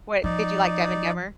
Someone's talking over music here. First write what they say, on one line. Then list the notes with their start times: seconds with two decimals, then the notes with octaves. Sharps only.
What did you like Dumb and Dumber?
0.24 F3 D#4 D5